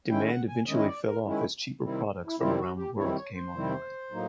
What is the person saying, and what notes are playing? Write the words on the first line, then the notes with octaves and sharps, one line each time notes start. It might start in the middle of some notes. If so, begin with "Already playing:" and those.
Demand eventually fell off as cheaper products from around the world came online.
D#3 G#3 C#4 E4 G5
F#5
G#5
D#3 G#3 C#4 E4 D#5
D#5
D5
A#4
D#3 G#3 C#4 E4
C3 D#3 G3 C4 E4
E4
C3 D#3 G3 C4 E4 F4
F#4
G4
C3 D#3 G3 C4 E4 C#5
C#5
C5
C3 D#3 G3 C4 E4
A2 F#3 A#3 D#4